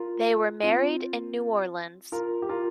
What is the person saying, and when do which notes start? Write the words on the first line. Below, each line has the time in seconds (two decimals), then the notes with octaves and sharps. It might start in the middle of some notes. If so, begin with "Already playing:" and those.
They were married in New Orleans.
Already playing: F4 A#4
0.63 C4 F4
2.12 F4 A#4
2.42 G4
2.49 F4 A#4